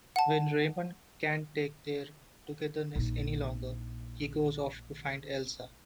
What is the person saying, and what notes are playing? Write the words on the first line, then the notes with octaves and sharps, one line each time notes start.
When Raymond can't take their togetherness any longer, he goes off to find Elsa.
F#5 A5
A#1 D#4